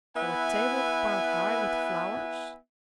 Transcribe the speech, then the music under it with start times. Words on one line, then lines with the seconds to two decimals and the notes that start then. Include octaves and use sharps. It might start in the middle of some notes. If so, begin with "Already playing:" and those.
There were tables piled high with flowers.
0.16 B3 E4 B4 E5 G#5